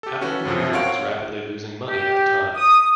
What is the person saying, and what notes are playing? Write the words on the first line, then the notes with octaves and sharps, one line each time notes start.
Apple Computer was rapidly losing money at the time.
G4 A4
C#4 F#4 A4 B4
F#2 C3 F3
C4 C#5 F5 F#5 C#6 D7
G4
D#6